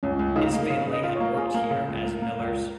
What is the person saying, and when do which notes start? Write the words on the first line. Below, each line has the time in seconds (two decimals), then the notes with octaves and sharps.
His family had worked here as millers.
0.03 C#2 C#4
0.19 C#2
0.36 C#3 D#4
0.53 A#3
0.70 C#3
0.87 C#3
0.93 D#5
1.03 F4
1.15 C#5
1.20 A#3
1.37 F4 G#4
1.54 A#3
1.71 C#3
1.88 C#2
2.05 A#3
2.22 A#3
2.39 C#2